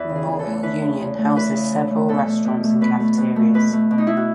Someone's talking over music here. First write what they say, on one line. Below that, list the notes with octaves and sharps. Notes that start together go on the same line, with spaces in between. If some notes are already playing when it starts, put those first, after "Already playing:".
Memorial Union houses several restaurants and cafeterias.
Already playing: E2 E3 B4
C#3
G#4
E2
G#4
A4
A3
E3 B4
C#3
E2
A3
E3 B4
C#3
E2
A3
B2 A4
A3
B2
A3
B2 B4
A3
B2
A3
B2 B4
A3
B2
D#4
A3 E4
F#4